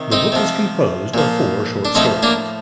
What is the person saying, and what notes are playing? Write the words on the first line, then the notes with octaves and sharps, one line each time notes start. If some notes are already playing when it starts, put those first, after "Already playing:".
The book is composed of four short stories.
Already playing: C3 D#3
C4 D#4
C3 F3
A#2 F3
D4
A2 F3 C4 D#4
A#3 D4